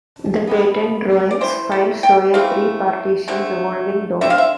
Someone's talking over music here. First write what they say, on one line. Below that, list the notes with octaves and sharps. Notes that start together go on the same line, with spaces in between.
The patent drawings filed show a three-partition revolving door.
B2 G3 B3
D5
E3 A3 C4 C5
A4
G5
E3 A3 C4 F5
D3 A3 C4
D3 A3 C4 E5
F5
E5